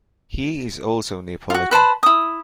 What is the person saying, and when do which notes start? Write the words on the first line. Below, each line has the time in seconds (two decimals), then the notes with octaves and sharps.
He is also Neapolitan.
1.50 F4 F#4
1.71 B4 C5 A5 B5
2.03 E4 D#6